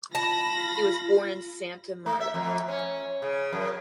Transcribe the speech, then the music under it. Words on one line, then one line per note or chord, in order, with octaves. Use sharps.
He was born in Santa Marta.
F4 A5 B5 A#6
A3
E5
F2
C#4
C#3
F#2